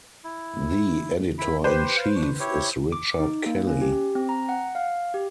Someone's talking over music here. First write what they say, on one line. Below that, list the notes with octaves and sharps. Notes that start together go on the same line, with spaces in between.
The editor-in-chief is Richard Kelly.
E4
E4 B5
G4 B4 C5 C6
F5
D4 C#6
E4 G4 C#5
D6
D#4
A#3
C#4
G4
C4
A#5
F#5
F5
G4